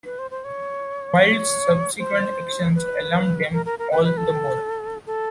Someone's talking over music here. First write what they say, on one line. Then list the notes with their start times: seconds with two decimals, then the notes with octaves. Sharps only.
Wild's subsequent actions alarmed them all the more.
0.05 B4
0.19 C5
0.31 C5
0.44 C#5
1.21 C#5
1.99 C5
2.75 B4
3.53 A#4
3.65 A#4
3.79 A#4
3.92 B4
4.04 B4
4.17 A4
5.07 A4